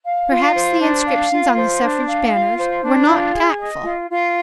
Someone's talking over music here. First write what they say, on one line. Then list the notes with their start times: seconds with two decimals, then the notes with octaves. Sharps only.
Perhaps the inscriptions on the suffrage banners were not tactful.
0.04 F5
0.29 F4
0.54 C5
0.80 D4
1.05 F5
1.31 F4
1.56 C5
1.81 D4
2.06 F5
2.32 F4
2.57 C5
2.82 D4
3.08 F4
3.33 G#4
3.59 D#5
3.84 F4
4.09 F4